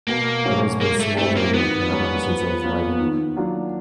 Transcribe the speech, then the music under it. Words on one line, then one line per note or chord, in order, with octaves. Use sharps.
It has been smouldering like that ever since it was lighted.
B2 A#3
F#3 A3 C#4
G#3 A#3
A3
A3 C4 E4 G4
A#3
D#3 B3
G3 A#3 C#4
F3
A#3 C#4 F4
D#3
F#3 A#3 D4 F4